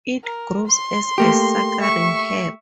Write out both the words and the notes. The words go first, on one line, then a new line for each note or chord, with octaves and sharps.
It grows as a suckering herb.
A#4
C6
A3 A#3 G4
E5 C#6